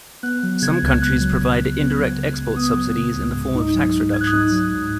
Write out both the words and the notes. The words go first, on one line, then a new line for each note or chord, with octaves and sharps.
Some countries provide indirect export subsidies in the form of tax reductions.
B3 F#6
F#3
C#3 G#6
C#2
B3 F#6
F#3
C#3
C#2
B3
F#3
C#3
C#2
B3 D#6
F#3
C#3
C#2
G#2
D#4
F#3
G#2
G#2 G#6
F#6
D#6
D#4 F#6
F#3
G#2